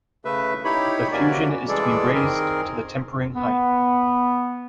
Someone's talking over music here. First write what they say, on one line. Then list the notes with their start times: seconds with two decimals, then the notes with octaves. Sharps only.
The fusion is to be raised to the tempering height.
0.25 C#3 A3 B4 E5
0.65 D#4 E4 G4 C#5 B5
1.12 F2 C3 A#3 C#4 F#4 D5
1.68 E3 G3 G#3 G#4 A4 D5
2.14 D#3 C4 G#4 A#4
3.33 B3